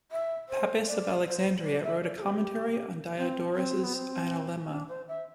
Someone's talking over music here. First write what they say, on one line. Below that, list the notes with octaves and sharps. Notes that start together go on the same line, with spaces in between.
Pappus of Alexandria wrote a Commentary on Diodorus's "Analemma".
E5
C5
D5
C5
D5
E5
D5
A4
G4
C4
C4
B3
C4
D4
C5
E5